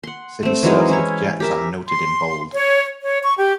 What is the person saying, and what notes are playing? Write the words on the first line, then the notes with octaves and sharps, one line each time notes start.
Cities served with jets are noted in bold.
F#5 C6
A3 C4
E3 F#3 G#3 D#4
C#4 E4 C#5
G4 A#4 E5
C6
C#5
C#5
C#6
G4